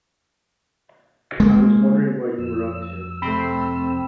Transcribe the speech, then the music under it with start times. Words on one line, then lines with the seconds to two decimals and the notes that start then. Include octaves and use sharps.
I was wondering what you were up to.
1.40 G#3 A#3
2.39 F2 E6
3.22 C3 A3 C4 B5